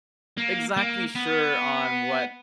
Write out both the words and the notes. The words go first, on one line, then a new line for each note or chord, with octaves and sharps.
exactly sure on what
A#3
A#3
B3